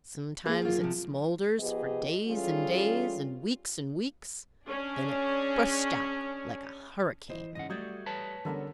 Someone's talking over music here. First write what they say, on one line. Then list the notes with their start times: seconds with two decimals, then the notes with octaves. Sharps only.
"Sometimes it smoulders for days and days, and weeks and weeks; then it bursts out like a hurricane."
0.46 A#3 G#4
0.62 F#2 F4
0.80 C3 F3
1.60 F3 B3 G4 G#4 D#5
2.27 E3 G3 C#4 F4 G#4 A4
4.67 C#4 D4 G#4
7.30 E3 C5 D#5
7.55 G#2 C#3 D#5 F#5
7.70 G3 A3 F#4 D5 D#6 G6 G#6
8.06 B4 C#5 A5
8.45 D3 G3 B3 C#4 A4 A#4